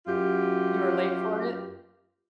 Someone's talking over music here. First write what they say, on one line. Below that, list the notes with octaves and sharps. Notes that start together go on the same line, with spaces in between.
You were late for it?
F#2 F4 G4